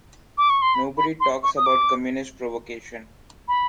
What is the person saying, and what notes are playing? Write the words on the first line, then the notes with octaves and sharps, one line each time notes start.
Nobody talks about Communist provocation.
D6
C#6
C6
B5
B5
C6
C#6
D#6
D6
B5